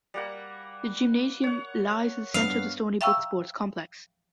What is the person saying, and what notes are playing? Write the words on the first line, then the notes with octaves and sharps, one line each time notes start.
The Gymnasium lies at the center of the Stony Brook Sports Complex.
G3 A#3 F#5
C#5 F#5
G2 B3 F5
E5 F5 G5 A#5 C#6 E6